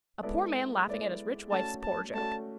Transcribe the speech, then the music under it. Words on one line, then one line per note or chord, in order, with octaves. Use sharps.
A poor man laughing at his rich wife's poor joke.
G#3 B3 E4 A4 D5
G#3 B3 E4 A4 D5
A3 C#4 F#4 A4 D5 A5
A5
A3 C#4 F#4 A4 D5 A5